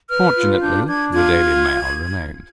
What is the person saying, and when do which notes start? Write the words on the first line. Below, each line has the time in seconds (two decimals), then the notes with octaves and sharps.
Fortunately "The Daily Mail" remained.
0.09 B4 F6
0.35 F4
0.61 D4 G6
0.87 D4 G#6
1.13 F4 G#6